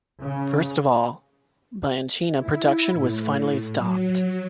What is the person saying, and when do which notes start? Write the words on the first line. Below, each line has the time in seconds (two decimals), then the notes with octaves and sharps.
First of all, Bianchina production was finally stopped.
0.21 C#3
2.37 E4
2.93 A2
3.77 F#3